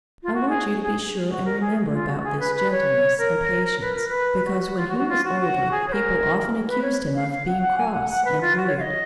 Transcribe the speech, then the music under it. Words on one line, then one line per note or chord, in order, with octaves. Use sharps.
I want you to be sure and remember about this gentleness and patience, because when he was older people often accused him of being cross and rude.
F4
F#4
G#4
G#4
F#4
A#4
G#4
F4
F#4
G#4
B4
B4
C#5
A#4
B4
A#4
B4
F#4
F#4
F4
F#4
F#4
F4
F#4
F#4
G#4
C#5
A#4
B4
C#5
F5
F5
F#5
F#5
G#5
F#5
F#5
B4
F4
F#4
C#5
F5
D#5